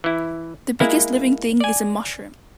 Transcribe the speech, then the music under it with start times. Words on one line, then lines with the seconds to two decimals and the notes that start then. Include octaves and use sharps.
The biggest living thing is a mushroom.
0.04 E3 E4
0.80 G#3 A#3 E4
1.60 D5 G#5